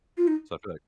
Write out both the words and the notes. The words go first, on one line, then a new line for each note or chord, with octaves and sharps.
so I feel like
F4
D#4